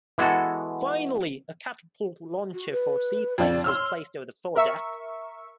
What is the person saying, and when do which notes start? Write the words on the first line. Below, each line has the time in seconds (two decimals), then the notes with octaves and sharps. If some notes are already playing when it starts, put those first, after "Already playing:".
Finally, a catapult launcher for seaplanes was placed over the fore deck.
0.18 E3 G#3 B3 F#4 A4
2.54 F#4
2.71 B4
3.38 F2 D4 D5
3.64 C#5 C6 E6 F6
4.56 A#4 E5 C#6